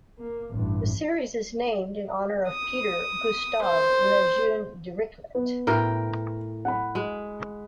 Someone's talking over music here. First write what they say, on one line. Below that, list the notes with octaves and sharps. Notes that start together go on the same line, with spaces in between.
The series is named in honor of Peter Gustav Lejeune Dirichlet.
A#3
A1 G2
D#6
C5
B3
A2 A#4 G5
F#5 B5
G#3